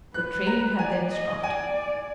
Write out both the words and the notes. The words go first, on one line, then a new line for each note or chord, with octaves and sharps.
The train had then stopped.
B4 F#6
A#5
D5 G#5
D#5
D5 G#5